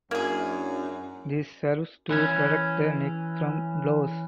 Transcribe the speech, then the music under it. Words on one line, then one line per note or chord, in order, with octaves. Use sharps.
This serves to protect the neck from blows.
F#2 F#3 A#3 C#4 D4 E4 G#4
E3 C#4